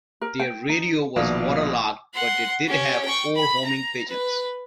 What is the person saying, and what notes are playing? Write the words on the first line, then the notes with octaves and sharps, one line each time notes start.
Their radio was waterlogged, but they did have four homing pigeons.
A#4
G5
D#4
A#1 B2 D#3 D5 F5
F#5 C6
C#4 G4
G5 C#6
B5
A#5
B4